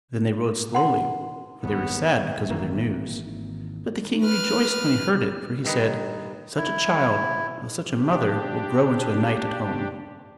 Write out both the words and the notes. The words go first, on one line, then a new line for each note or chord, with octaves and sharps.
Then they rode slowly, for they were sad because of their news; but the king rejoiced when he heard it, for he said: "Such a child, with such a mother, will grow into a knight at home."
F#5 C6
G#1 D#2 B3
G#1 D#3 E3 A#3
B4 F6
G2 D#3 D#4 B4
E4
D4 G4